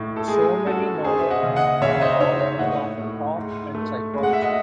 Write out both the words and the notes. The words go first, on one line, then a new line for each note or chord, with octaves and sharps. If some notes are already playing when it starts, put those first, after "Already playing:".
So many novels are all full of talk and psychology.
Already playing: A2 D#4
A4
G#3 G#4
C#4 F#4 A4
C#4 G#4 C5
E5
D#5 F#5
C#3
D#5 F#5
C#3 C#5 E5
C5 D#5
D#4 C#5 E5
C#5 E5
A2 D#5 F#5
A2
G#2
A3
G#3
F#5
E5
D#5 F#5